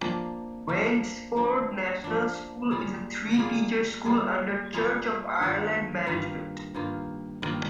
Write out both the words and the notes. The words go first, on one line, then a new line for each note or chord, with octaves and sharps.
Wandesforde National School is a three-teacher school, under Church of Ireland management.
F3 A#3 D4
F3 A#3 D4
F3 A#3 D4
F3 A#3 D4
G3 A#3 F4 G#4
G3 A#3 F4 G#4
G3 A#3 F4 G#4
G3 A#3 F4 G#4
G2 D#3 A#3 F4
G2 D#3 A#3 F4
G2 D#3 A#3 F4
G2 D#3 A#3 F4